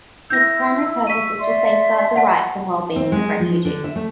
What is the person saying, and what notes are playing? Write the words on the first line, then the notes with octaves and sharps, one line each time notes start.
Its primary purpose is to safeguard the rights and well-being of refugees.
E4 E6 G6 A#6
C#6 E6 B6 D#7
D5 E5 C6
F#5 A5
C4
G#3
F3
D3
E5
A3